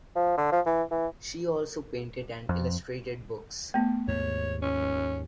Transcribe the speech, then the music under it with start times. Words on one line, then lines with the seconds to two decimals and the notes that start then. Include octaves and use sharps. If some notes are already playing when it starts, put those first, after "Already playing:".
She also painted and illustrated books.
0.16 F3
0.37 D3
0.52 F3
0.66 E3
0.91 E3
2.49 F2
3.74 A3 B3
4.08 D#2 G#2 C#5
4.62 C#4